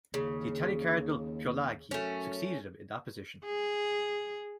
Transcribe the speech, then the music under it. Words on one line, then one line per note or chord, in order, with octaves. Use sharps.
The Italian Cardinal Pio Laghi succeeded him in that position.
D#2 C#3
F#2 A3 C#4
G#4